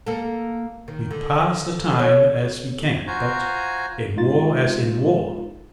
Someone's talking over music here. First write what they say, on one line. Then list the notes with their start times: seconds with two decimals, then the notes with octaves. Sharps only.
We pass the time as we can, but in war as in war!
0.06 A#3 A4
0.88 D#3
1.11 D3
1.99 C#5
3.07 F4 F#4 C5 G#5 A#5
4.16 G#3 D#4 F4 A6